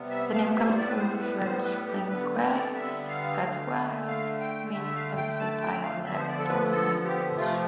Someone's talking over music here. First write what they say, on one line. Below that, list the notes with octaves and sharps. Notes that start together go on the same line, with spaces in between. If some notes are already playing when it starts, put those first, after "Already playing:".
The name comes from the French "Langue Patois", meaning simply dialectal language.
Already playing: C3 G3 B3
E5
F5
E5
C5
A2 G3 B3 D5
B4
C5
B4
C5
B4
G4
D3 G3 B3 B4
D5
E5
F5
D3 A3
F5
G5
D3 A3 E5
E5
F5
G5
G5
A5
G5
F5
D3 F3 B3 E5
C5
D5
A4
B4
A4
G4
C3 F3 A3 F4